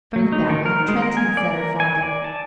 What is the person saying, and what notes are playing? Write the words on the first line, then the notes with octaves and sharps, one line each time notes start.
"From the battle of Trenton," said her father.
F#3
D#4
D#3
A#4
G#3
A#4
G#5
D5
A#4
G#5
D5
A5